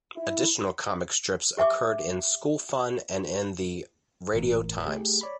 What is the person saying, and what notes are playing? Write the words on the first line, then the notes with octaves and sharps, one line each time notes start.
Additional comic strips occurred in "School Fun" and in the "Radio Times".
E4
G4 E5 G#5 C#6 D6
G1 A2 E3 A#4
A3 G4 G#4
C#5 D5 B5